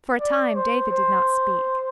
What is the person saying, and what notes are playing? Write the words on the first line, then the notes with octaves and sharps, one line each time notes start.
For a time David did not speak.
D5
C5
C5